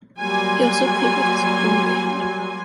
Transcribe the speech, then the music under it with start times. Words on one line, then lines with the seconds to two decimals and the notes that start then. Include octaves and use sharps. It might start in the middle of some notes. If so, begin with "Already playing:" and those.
He also played with his own band.
0.20 F#3 G3 A#3 G#5 C6